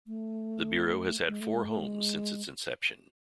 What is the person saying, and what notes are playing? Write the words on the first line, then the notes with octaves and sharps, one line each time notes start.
The Bureau has had four homes since its inception.
A3
G#3
A3
G#3
A3
G#3